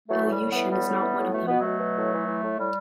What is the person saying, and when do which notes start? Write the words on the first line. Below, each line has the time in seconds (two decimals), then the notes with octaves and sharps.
Ilyushin is not one of them.
0.09 E3 F#3 A3
0.25 A2 G3
0.39 A2
0.50 G3 B3
0.55 E3
0.71 A2 G3 B3
0.86 A2
1.02 E3
1.17 A2
1.33 B2 A3
1.47 B2 B3
1.61 B2 F#3 A3
1.80 B2
1.95 A2
2.11 E3
2.26 E3
2.42 A2
2.57 A2 G3